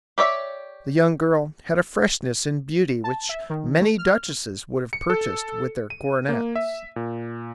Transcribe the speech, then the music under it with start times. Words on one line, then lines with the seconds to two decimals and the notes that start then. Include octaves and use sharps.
The young girl had freshness and beauty which many duchesses would have purchased with their coronets.
0.18 G4 C#5 D5 E5
3.04 A5
3.29 E5
3.50 D#3
3.81 A3
3.98 F6
4.93 C#7
5.10 A4
5.90 D#7
6.29 A#3
6.56 E5
6.96 A#2